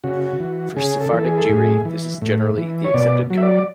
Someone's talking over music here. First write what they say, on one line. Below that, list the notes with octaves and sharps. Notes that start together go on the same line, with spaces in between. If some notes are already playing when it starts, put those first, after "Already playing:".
For Sephardic Jewry, this is generally the accepted code.
C#3 F#4
E3
C#3 G#4
A4
E3
A4
G#4
A4
A2 G#4
E3
A2
E3
C#5
B2 D5
F#3
E5
D5